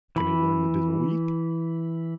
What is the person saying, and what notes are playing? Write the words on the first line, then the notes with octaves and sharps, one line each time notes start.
Can he learn it in a week?
E3 B5